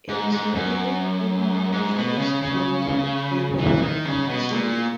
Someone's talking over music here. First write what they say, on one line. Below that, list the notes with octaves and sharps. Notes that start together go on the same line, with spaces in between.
It is located in the "East Taunton" neighborhood of the city.
G#2
G#2
F#2
G#2
B2
C#3
C#3
E3
D#3
C#3
B2
A#2